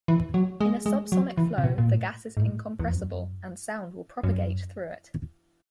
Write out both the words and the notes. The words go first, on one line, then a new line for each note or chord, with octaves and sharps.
In a subsonic flow the gas is incompressible, and sound will propagate through it.
E3
F#3
G#3
G#3
F#3
E3
C3
B2
A#2
A2
G#2
A2
E2
F2
F#2
F#2